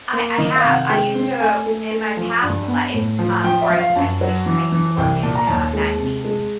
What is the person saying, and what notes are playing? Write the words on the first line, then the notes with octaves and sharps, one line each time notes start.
I I have, I used to uh, w in my past life, uh, before I was in education, I used to work in, uh, magazines,
A#3
D#3 D#5
F5
C3
F#5
G#3 G5
C4
A3 G#5
A3
A3
F3
G2
B3
A2
F3
F3 G5
E5
F3
F5
F#2 A5
F#3
E3
E3
C2 G5
A#2 A5
A#5
D#2 A5
G#3
C3
G#3